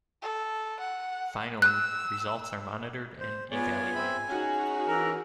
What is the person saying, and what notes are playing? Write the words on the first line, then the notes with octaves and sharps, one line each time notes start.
Finally, results are monitored and evaluated.
A4
F#5
E6 F#6
C5
B3 F4 G#4 C#5 D5 G#5
C4 E5 B5
C#4 D#4 F#4 G#4
E3 A#4